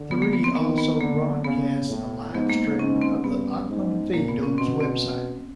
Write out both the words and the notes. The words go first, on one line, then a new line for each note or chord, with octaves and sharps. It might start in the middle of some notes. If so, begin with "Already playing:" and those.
Three also broadcasts a livestream of the Auckland feed on its website.
Already playing: D3
B3
A#3
B3
C4
D#3 B3
B3
D3 A#3
C#3 B3
A2
G#2 B3
A#3
G#2 C#4
C4
G2 B3
G#2
A#2 A#3
B3
C#4
B2 C4
C4